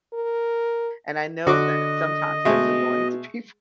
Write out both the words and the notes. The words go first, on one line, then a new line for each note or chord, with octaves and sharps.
And I know that sometimes that's annoying to people
A#4
D3 F#4 D#5 C#6 D6
B2 G#3 A3